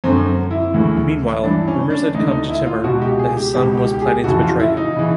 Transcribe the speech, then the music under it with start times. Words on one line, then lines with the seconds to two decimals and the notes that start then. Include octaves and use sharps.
Meanwhile, rumors had come to Timur that his son was planning to betray him.
0.04 F#2 D3 C4
0.51 E4
0.74 D2 C#3 E3
1.44 G2 E3 D4
1.68 C#4
1.90 D4
2.14 D2 D3 D#4
2.31 D#4
2.50 E4
2.66 F4
2.84 C#2 B2 F#4
3.02 G4
3.19 G#4
3.37 G4
3.54 C#2 B2 G4
3.77 G4
3.94 G4
4.01 G#4
4.24 F2 C#3 E3 F#4
4.42 F4
4.60 E4
4.77 D#4
4.96 C#3 E3